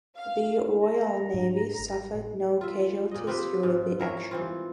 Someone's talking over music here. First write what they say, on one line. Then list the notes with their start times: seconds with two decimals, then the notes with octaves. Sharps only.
The Royal Navy suffered no casualties during the action.
0.16 F5
0.83 A#5
1.34 G#2 D4
1.79 G#1
2.14 A2
2.61 F4 E5
3.11 A#2 D#5
3.27 C4 F4 G4 B4
3.63 G#2 F4
3.99 E4 A#4 C#5
4.31 E3 C4 F4